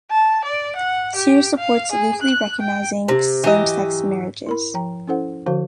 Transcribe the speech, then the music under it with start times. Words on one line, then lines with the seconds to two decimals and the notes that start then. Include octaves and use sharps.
Sears supports legally recognizing same-sex marriages.
0.11 A5
0.45 D5
0.76 F#5
1.16 G4
1.58 F5
1.92 G#4
2.22 F#6
2.61 G5
3.08 C3
3.44 E3 F#3 G4 D#5
4.46 E4 A#4 B5
4.74 F3 G5 A#5
5.08 C#4 E4 A4 C5 F#5
5.46 D3 F3 F#4 C5 F5